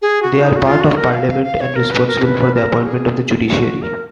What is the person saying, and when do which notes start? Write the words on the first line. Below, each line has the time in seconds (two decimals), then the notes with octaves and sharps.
They are part of Parliament and responsible for the appointment of the judiciary.
0.02 G#4
0.22 F#4
0.43 D#4
0.56 F#4
0.65 F4
0.81 F#4
0.97 A#4
1.12 F5
1.27 F5
1.43 F5
1.60 C#5
1.76 A#4
1.91 B4
2.07 A#4
2.24 B4
2.40 B4
2.54 A#4
2.82 F#4
2.87 G#4
3.50 F#4
3.82 A#4